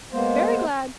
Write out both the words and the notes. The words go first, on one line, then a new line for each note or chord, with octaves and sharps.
Very glad!
G#3 A#3 B3 C5